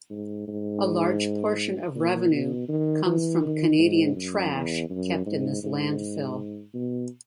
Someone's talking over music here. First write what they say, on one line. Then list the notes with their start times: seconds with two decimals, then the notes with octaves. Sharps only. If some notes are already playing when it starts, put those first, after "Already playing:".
A large portion of revenue comes from Canadian trash kept in this landfill.
0.10 G#2
0.47 G#2
1.95 A#2
2.31 B2
2.68 D#3
3.05 E3
3.42 D#3
3.79 G#2
4.16 F#2
4.52 E2
4.89 F#2
5.26 G#2
5.63 G#2
6.74 B2